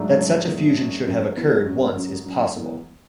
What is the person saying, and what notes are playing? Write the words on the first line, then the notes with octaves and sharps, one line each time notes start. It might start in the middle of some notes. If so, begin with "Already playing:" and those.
That such a fusion should have occurred once is possible.
Already playing: G#2 F#3 A3 D4
F#2
E2
F#2
F#2
E2
F#2
F#2
F#2
E2